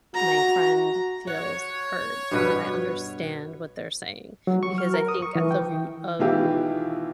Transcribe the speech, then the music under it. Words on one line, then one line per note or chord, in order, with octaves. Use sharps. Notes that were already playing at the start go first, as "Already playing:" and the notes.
my friend feels heard and that I understand what they're saying. Because I think at the root of
F#4 A#5
C#5 F#5
G2 B2 B4
F#3
C#6
F6
A#4
D#6
C#6
E3
G5
B2 D#3 E3 E4 F4 G4